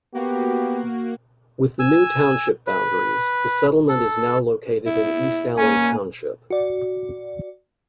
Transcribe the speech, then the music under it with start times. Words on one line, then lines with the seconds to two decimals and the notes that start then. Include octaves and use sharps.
With the new township boundaries, the settlement is now located in East Allen Twp.
0.14 A#3 B3 F#4 G4
1.79 G#5 E6
2.67 B4
3.89 A4
4.87 E4
5.58 A#3 C#4 G#5
6.50 F#4 D5